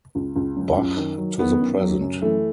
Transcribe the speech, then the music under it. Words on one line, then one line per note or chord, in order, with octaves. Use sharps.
Bach to the present.
C#2
C#2
F#2
F#2
D#3
F#3
D#3 B3
F#2
F#3
F#2
E3 A3